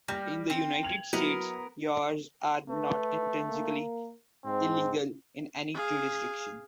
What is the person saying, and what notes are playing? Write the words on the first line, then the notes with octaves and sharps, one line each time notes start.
In the United States, yawaras are not intrinsically illegal in any jurisdiction.
G3 F6 A#6
C4
G#6 F7 F#7
F#3 B3 E4 A#4
A3 B4
A#3
G#2 C4
G#4 F5